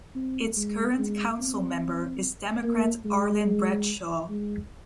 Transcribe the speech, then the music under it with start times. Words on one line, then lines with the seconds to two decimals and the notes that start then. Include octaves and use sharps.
Its current councilmember is Democrat Arlyn Bradshaw.
0.15 C4
0.56 G#3
0.98 G#3
1.40 C4
2.63 A#3
3.05 G#3
4.29 G#3